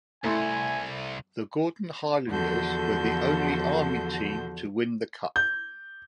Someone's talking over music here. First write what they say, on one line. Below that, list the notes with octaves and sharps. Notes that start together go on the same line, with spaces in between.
The Gordon Highlanders were the only Army team to win the Cup.
C2 A3 E4 G#5 C6
E2 D3 F3 F#4 A4 G6
G6